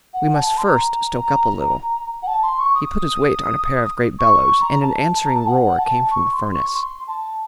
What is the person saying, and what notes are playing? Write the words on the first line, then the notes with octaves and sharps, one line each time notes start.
"We must first stoke up a little." He put his weight on a pair of great bellows, and an answering roar came from the furnace.
F#5
A5
C6
A#5
F#5
A5
C6
C#6
D#6
C#6
C#6
A#5
A5
A5
A#5
A5
F#5
A5
C#6
C6
C#6
C6
A5